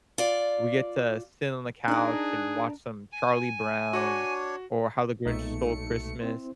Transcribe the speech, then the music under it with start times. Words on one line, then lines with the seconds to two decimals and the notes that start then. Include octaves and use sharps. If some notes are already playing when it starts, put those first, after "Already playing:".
we get to sit on the couch and watch some Charlie Brown or How the Grinch Stole Christmas.
0.18 F4 D5
1.88 D4 D#4 G#4 A#4 F#6
3.12 G#5
3.93 D4 F#4 C#5
5.26 B1 A#2 G#3 A3 D#4 C#7
6.21 C4 E4 C5